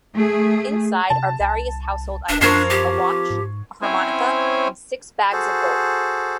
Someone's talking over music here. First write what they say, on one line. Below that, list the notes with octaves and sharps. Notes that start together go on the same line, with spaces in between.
Inside are various household items, a watch, a harmonica, and six bags of gold.
A3 G#4
C3 A5
C2
D#1 D4
F#2 F3 C4 D4 A#4 C#6 G#6 C7
G4
G#2
C4 C#4 E4 C5 C#5 G#5
F#4 G#4 A4 C5